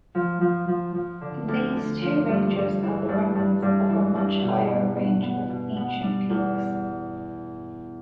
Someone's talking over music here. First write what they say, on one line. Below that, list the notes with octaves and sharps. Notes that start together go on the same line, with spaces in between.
These two ranges are the remnants of a much-higher range of ancient peaks.
F3
F3
F3
F3
D3
D2
D2
F3
G2
G2
E3
G2
G2
G2
E3
G2
B2
B3
B3
B3
B2
B3
G3
E2